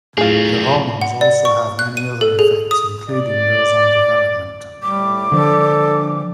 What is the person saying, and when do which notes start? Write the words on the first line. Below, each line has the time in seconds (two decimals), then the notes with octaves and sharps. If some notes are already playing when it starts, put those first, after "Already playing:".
The hormones also have many other effects including those on development.
0.18 A2 F#3 C4 F4 G#4
1.01 F#5
1.21 D5
1.45 C#6
1.79 F#6
1.97 D#7
2.21 A4
2.39 G#4
2.71 D#6
3.10 D5
4.82 A2 G3 D6
5.32 D3 F3 D4 A4